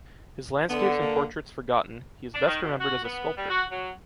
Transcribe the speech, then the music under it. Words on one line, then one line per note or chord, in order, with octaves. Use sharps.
His landscapes and portraits forgotten, he is best remembered as a sculptor.
D3 B3
A#3
D4
D#3
B2
F#4
B3
G3
F#4
F#3